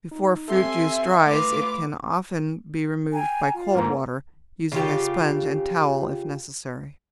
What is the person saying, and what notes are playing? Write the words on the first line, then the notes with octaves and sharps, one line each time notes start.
Before fruit juice dries it can often be removed by cold water, using a sponge and towel if necessary.
D#4
C4 G4 A4 E5 G#5 C6
A3 F4 B4 D6
G5 G#5 A#5
F4
G#2 A#3 A#5
C#3 F4 G4